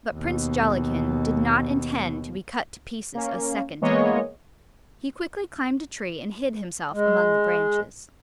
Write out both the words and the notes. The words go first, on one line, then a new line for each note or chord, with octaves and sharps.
But Prince Jollikin did not intend to be cut to pieces a second time. He quickly climbed a tree and hid himself among the branches.
D#2 B2
A#3 C#4
E3 G#3 A#3 B3 C#5 D#5
G#3